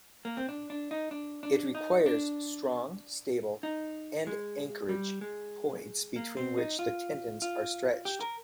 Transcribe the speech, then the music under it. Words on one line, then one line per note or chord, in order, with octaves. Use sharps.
It requires strong, stable end-anchorage points between which the tendons are stretched.
A#3
C4
D4
D4
D#4
D4
D4
D#4
D4
D#4
G#3
G3
G#3
A#3
C4
D#4
F4
F4
G4
A#4